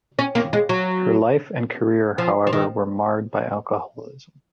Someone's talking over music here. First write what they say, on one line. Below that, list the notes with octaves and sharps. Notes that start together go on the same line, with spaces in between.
Her life and career, however, were marred by alcoholism.
C#4
A#3
G#3
F#3
F3
F3
D#3